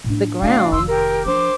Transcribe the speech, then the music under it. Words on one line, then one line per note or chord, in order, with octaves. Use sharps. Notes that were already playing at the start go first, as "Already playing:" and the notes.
the ground.
A2 D4
C#3 A3 D4 F#4 F5
F1 D#3 C6 E6
G4 A#4
F3 D4 C5 D6